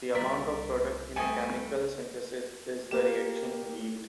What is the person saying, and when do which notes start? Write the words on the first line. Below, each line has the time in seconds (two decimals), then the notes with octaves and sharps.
The amount of product in a chemical synthesis is the reaction yield.
0.15 C2 A#4 D5 E5 B6
1.16 G3 A3 A4 G5 G#5 D#6
2.91 A#3 G4 E7